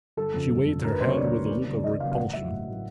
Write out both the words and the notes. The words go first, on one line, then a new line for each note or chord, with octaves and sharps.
She waved her hand with a look of repulsion.
G1 A4
F2 C#3
G1
F2 C#3
D2 A#4
B4
C#3 F#3 A#3 C5
C#5
D2 D5
C#3 F#3 A#3
D#2
C#3 F#3 A#3
D#2 D#5
C#3 F#3 A#3 F5
F5
A1 F#5
A2 F#3 E5
A1
A2 F#3